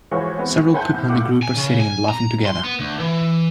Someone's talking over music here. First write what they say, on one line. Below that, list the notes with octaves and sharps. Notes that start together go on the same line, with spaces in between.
Several people in a group are sitting and laughing together.
E3 F3 G#3 F#4 G#4 C#5
E3 G#3 B3 C4 F#4
C5 E5 F#5 G#5 A5 G6
C2
C#2 A3 F#4 F#5 D6
G#5
C#3
G#5
A#5
C6
B3
D2
E3